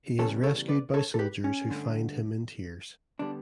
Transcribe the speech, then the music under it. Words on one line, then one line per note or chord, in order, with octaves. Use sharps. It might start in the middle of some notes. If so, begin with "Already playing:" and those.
He is rescued by soldiers who find him in tears.
E2 C#3 E3 G3 A4 C#5
A4 C#5
B4 D5
A4 C#5
A4
G4 B4
C#4
G2 D3 A3
D3 G3 B3 D4